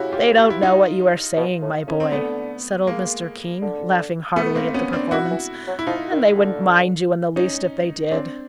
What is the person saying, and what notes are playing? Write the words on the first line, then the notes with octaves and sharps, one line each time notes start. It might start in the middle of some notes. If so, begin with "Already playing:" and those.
"They don't know what you are saying, my boy," said old Mr. King, laughing heartily at the performance, "and they wouldn't mind you in the least if they did."
Already playing: C#3 E4 F#4 G4
F4 G4
F4 G4
E4
D#4 F4
B2
A2
A2 C#4
C4
D3 A3 B3
G#3 A#3
D3
A3 B3
A#3 C4
B3 C#4
C4 D4
D#3 E4 F#4
E3
F#3
E4
F3 D#4 F4
D#3
D3
C#4 D#4
C#3 C4 D4